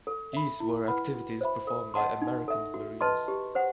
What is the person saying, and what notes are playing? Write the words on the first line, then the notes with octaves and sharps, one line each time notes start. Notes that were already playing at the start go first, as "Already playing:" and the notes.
These were activities performed by American Marines.
A4
E5 B5
E4
B4 F#5 B5
F#4
C5 E5 B5
A4
D#5 F#5 A5 C6
D#4
A4 E5
F#4
B4 D#5 A5 C6
G4
C5 F#5